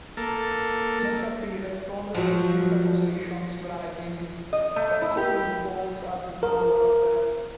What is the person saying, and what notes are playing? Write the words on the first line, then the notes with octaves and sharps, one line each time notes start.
McAfee responded to these accusations, writing, Of course the phones had malware on them.
A#3 A4
F3 F#3
D#5
A3
E4
G4
A#4